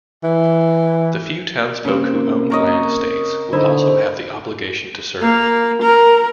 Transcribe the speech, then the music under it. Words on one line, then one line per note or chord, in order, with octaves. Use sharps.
The few townsfolk who owned land estates would also have the obligation to serve.
E3
C#3 A#3 C4
A#4 C#5 D#5
D3 B3 D#4 E4 C5
A#3
A#4